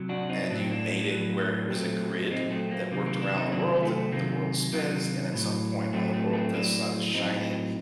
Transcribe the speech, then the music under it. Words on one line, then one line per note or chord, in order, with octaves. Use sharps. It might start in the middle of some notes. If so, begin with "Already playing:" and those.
and you made it where it was a grid that worked around the world, th the world spins, and at some point on the world, the sun is shining
Already playing: C3 F#3
D4 F#4
C4 D#4
A2 F#3 D4
C4
A#3 D4
A2 F#3
A#2 F#3 A3 C4
A#2 F#3 C4 D#4
A3 C4
A#3
C3 D#3 F#3 A#3
A#3
A#3 D4
C4 D#4
C3 D#3 F#3 A#3 D4
A3 C4
C3 D#3 F#3 A#3
C3 D#3 F#3 A#3
A2 F#3
A2 F#3 A3 C4
A3 C4
A3 C4
A2 F#3 A#3 D4
A2 F#3 C4 D#4